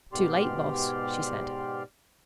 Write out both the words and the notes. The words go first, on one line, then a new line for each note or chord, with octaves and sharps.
"Too late, Boss," she said.
G#2 B2 G4 D5 C6 F6